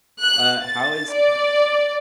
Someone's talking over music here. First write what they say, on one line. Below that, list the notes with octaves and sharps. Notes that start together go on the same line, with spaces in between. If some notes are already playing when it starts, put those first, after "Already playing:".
uh, how is ha
F#6
A6
D5